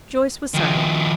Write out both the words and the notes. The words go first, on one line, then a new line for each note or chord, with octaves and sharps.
Joyce was silent.
D#3 F3